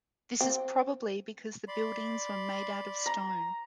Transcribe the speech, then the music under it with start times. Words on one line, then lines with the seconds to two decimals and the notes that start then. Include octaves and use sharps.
This is probably because the buildings were made out of stone.
0.41 C4
1.68 D5 B5 C6
3.06 A#5